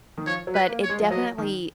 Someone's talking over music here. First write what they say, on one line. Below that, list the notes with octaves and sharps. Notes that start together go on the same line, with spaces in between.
but it definitely,
D#3
F3 C#5
F#3
B4
A#3
C#5
G#3
F3
F#3 D#5
D#3